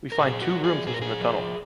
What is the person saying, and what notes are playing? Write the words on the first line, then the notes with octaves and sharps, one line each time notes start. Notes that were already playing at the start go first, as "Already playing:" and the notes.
We find two rooms within the tunnel.
A#4
A#2 G#4
F#4
F3
G#4
A#2 G#4
A#4
G#4
F3